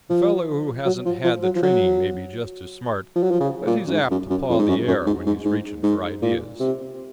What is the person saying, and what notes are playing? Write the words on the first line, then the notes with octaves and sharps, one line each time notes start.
The fellow who hasn't had the training may be just as smart, but he's apt to paw the air when he's reaching for ideas.
F3
F#3
F3
F3
F#3
F3
F#3
F3
F#3
F3
C#3
A#2
F#2
G#2
F#2
F#2
F2
G#2
F#2
F#2
G#2
G#2
G#2
G#2
A#2
C3